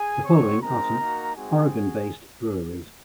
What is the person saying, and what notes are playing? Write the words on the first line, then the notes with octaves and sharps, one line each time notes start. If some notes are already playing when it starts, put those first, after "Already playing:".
The following are some Oregon-based breweries.
Already playing: G#4 G#5
C4 F#4 C#5 C#6
G#3 C4 D#4 A#4 A#5
A#3 D#4 F#4
G#3 C4 D#4 F#4 G#4 G#5
F#4